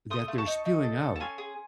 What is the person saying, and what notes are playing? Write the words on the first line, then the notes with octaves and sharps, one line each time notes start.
that they're spewing out
A3 C6 D#6
A3
A5 C#6
D#4
D#4
A4
A4
A5
C#4 G#5 C6
G#4